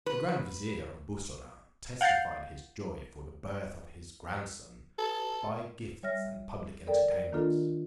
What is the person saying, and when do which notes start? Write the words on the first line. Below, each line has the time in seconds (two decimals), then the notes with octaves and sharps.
The grand vizier, of Bussorah testified his joy for the birth of his grandson by gifts and public entertainments.
0.06 B4
2.01 F5 F#5 G6 A6 C7
4.99 A4
6.03 G3 C#5 E5 F6 A#6
6.87 A4 A#4 D5 G5
7.32 D#3 A#3 D4 F4 A4 A#4